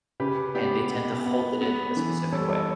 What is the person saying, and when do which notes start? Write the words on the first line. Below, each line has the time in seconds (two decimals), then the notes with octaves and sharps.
and they tend to hold it in a specific way.
0.20 C#3 G4 B4
0.55 B3 G4 B4
0.90 B3
1.26 B3
1.61 B3
1.97 E3
2.32 G3 A4 C#5
2.50 A4 C#5